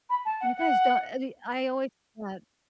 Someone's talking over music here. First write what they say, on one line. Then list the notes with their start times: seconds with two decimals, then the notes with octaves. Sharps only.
You guys don't any I always had
0.09 B5
0.25 A5
0.40 F#5
0.56 F#5